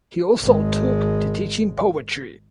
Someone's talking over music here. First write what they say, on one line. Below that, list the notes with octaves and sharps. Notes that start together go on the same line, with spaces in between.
He also took to teaching poetry.
G#1 G#3